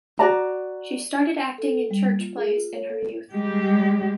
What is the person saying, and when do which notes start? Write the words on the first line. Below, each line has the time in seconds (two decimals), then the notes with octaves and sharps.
She started acting in church plays in her youth.
0.19 F#4 D5 A#5
1.58 A4
1.91 G3
2.05 A#3
2.19 F4
2.37 G#4
2.57 F4
2.74 C#5
2.89 A4
3.32 G3 G#3 G4